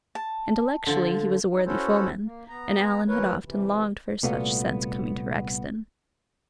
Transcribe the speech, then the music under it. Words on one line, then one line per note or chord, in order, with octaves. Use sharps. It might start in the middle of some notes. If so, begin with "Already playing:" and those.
Intellectually he was a worthy foeman, and Alan had often longed for such since coming to Rexton.
A5
D3 F3
D#4
C#4 E4 F#4 A4 C5 C#5
A#3
B3 A#5
D2 E3 E4 A#4 B4 C#5
C3 E3
C2 A#2 A3 B3 F#4 F5